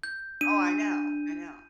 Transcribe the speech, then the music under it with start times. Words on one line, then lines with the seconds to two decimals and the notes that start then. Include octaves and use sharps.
Oh, I know, I know.
0.03 G6
0.41 D4 D#7